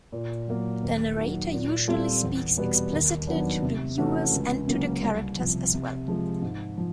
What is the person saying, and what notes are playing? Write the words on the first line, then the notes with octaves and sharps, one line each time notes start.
The narrator usually speaks explicitly to the viewers and to the characters as well.
A#2
F#3 A#3
D#2
D#3 F#3
A#2
G3 C4 F4 A4
E2
B2 G3 B3
D#2
D#3 F#3 B3 D4
C3
E3 A3 C#4 F#4
C#2
C#3 F#3 A#3 C#4
C2
C3 F3
C3
F3 G#3
G#2
F3